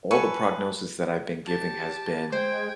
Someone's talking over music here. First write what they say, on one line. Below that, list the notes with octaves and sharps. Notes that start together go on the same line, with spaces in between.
all the prognosis that I've been giving has been
A4 B4 G#5 C#6
G4 A5
G#3 C5 G5 G#6